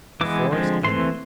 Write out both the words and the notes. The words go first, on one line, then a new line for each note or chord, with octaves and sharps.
The forest ended.
E3 G#3 B3 D6
D3 F3 G#3 C4
E3 A3 C4 C6